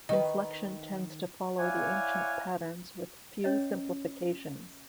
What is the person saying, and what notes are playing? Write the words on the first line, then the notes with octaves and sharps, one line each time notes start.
Inflection tends to follow the ancient patterns with few simplifications.
D#3 B4 D#5
E4 C#5 D5 F5 F#5 G#5
C#4 C#5 D#5